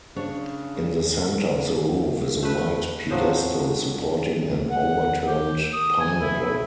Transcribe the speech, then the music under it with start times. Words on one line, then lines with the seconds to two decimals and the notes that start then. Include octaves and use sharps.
In the center of the roof is a white pedestal supporting an overturned pineapple.
0.16 C#3 D4 C#5
1.49 A#3
2.43 A3 B4
3.10 A2 F3 F#3 C4
4.70 F#5
5.27 G4
5.73 D#6
6.00 G#5
6.21 E4
6.44 E4